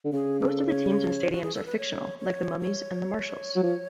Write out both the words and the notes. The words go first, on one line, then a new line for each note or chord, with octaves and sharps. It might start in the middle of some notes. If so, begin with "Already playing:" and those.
Most of the teams and stadiums are fictional like the Mummies and the Marshalls.
D3
C#3 G#4
A4
C#5
F#4
G#4
A4
B4
C#5
C#5
C#5
F#3
F3